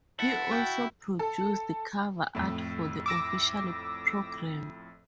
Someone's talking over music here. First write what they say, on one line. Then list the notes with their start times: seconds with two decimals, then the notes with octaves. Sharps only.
He also produced cover Art for the official programme.
0.20 E4 F#5 A5
0.51 F#4 G5
1.19 A4
2.35 F2 A2
3.06 D6 E6 A#6